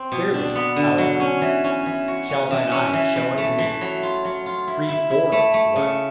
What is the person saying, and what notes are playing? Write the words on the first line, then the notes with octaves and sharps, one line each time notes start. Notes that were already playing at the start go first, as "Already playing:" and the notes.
Clearly, however, shall thine eye show unto me: free FOR WHAT?
Already playing: C4
B2
D4
B3
D3
F#3
C#4
E3
C#4
E3
F#4
C#4
E3
C#4
E3
E3
A3
E3
F#3
F4
F#3
F4
E4
E4
E4
A3
A3
C#3